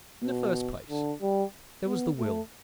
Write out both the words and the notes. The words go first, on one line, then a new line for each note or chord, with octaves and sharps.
In the first place, there was the will.
B2
D3
G3
B3
A3